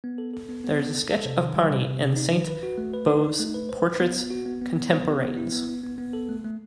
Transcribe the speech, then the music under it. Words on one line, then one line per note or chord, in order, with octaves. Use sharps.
There is a sketch of Parny in Sainte-Beuve's "Portraits contemporains".
B3
A4
A4
B3
B3
A4
A4
A4
C3
D#3
G3
C3
C3
C3
D#4
D#3
B4
F#4
A3
B4
D#4
D#4
A3
B4
C5
C5
B3
B3
F#4
B3
B3
B3
B3
G4
B3
E4
B3
B3
B3
B3
A4
A3
A3